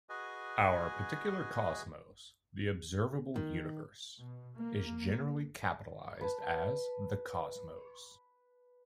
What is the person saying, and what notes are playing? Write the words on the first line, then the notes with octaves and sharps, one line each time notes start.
Our particular cosmos, the observable universe, is generally capitalized as "the Cosmos".
F#4 G#4 B4 D#5 G#5
D#3
B2
A#3
B4 A5